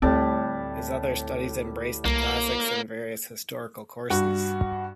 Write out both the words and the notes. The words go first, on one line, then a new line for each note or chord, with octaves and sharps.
His other studies embraced the Classics and various historical courses.
D2 A2 G3 A3 C4 A5
C2 A#3
G2 F#4